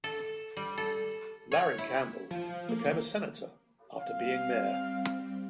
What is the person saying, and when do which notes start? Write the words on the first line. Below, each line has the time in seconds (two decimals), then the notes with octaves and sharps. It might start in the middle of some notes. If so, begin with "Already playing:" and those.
Larry Campbell became a Senator after being mayor.
0.04 A4
0.57 G3
0.78 A4
1.52 C#5
1.78 E4
2.31 F3
2.69 A#3
3.99 G3 C4 F5